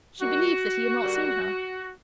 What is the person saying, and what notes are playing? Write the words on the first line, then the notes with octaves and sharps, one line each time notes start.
She believed that he had not seen her.
D#3 G3 A#3 F#4
D3 G3 A#3